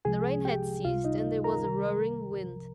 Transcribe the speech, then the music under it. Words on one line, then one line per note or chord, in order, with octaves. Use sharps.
The rain had ceased and there was a roaring wind.
C2 C3 F3 G#3 G#4 G#5
G4 G5
C#2 C3 G3 F4 F5
D#4 D#5
A#4 A#5
C2 C3 D#3 G3 A#4 A#5
C2 C3 F3